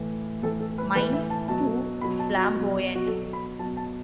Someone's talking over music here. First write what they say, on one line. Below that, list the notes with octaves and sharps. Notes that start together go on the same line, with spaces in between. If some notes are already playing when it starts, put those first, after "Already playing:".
Mine's too flamboyant.
Already playing: A2 E3
A2 E3 A4
A4
B4
A2 E3 B4
E5
A5
B2 F#3 A5
B2 F#3 B5
A5
F#4
B2 F#3
F#4
B2 F#3 A4
B5
B2 F#3 A5
A5